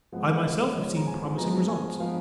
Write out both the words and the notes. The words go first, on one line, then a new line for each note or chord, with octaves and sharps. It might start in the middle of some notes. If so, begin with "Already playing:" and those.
I myself have seen promising results.
F3 G#3 B3 F#5
F5
D#5
C#5
F3 G#3 B3 D#5
A#5
G#5
F3 G#3 B3 A#5
G#5
F3 G#3 B3 F5